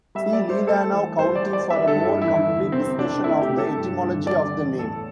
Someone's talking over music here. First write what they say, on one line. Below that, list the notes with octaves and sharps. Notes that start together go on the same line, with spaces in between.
See Leelanau County for a more complete discussion of the etymology of the name.
G3 E5
D5
G3
C5
A3 A4
E3
G3 C5
D5
G3
D5
G3 E5
A4
G2
E4
E2 E4
D3
C3 C4
C3 D4
A3 E4
G4
C3
A4
G2
G2
D3 D5
E2
A2 A4